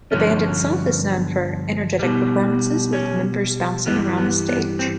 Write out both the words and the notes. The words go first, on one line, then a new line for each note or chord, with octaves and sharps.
The band itself is known for energetic performances, with members bouncing around the stage.
G2 D3 F3 C#4
B2 G3
C#4
G2 E3 G3 B3
B3
B3
C4